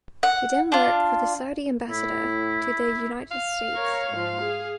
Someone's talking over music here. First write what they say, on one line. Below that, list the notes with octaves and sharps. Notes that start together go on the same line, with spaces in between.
He then worked for the Saudi ambassador to the United States.
F#5
D4 F4
A2 E4
F5
A#4 C#5
G#2 F3
G#4